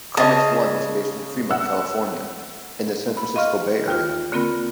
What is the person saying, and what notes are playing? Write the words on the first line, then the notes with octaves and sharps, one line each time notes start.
ComicsOne was based in Fremont, California, in the San Francisco Bay Area.
C#3 D#5 A5
F#5 E6
B5
D#5 F5 C6 C#6 F6
D#2 D#3 F4 F6
D3 A#3 C4 F4 A#4 B5